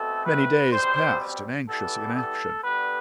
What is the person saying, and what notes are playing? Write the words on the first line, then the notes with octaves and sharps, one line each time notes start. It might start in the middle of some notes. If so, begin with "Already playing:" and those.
Many days passed in anxious inaction.
Already playing: B2 A3 C4 A4
B4
B2 G3 C4 C5
E3 G3 B3 A4
A4
D3 G3 B3 B4